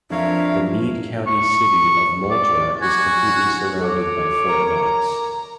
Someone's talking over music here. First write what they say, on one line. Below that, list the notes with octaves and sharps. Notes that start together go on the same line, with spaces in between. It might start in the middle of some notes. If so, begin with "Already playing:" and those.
The Meade County city of Muldraugh is completely surrounded by Fort Knox.
F2 F3 D4 F4 A#4 C#5 E5 F5
C#6
D5
F#4 G#5
A4 C#5 D6
A#4 A#5